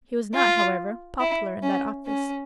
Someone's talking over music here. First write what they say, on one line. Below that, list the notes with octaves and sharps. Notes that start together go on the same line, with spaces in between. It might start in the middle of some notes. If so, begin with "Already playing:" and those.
He was not, however, popular in that office.
F4
E4
C#4
C#4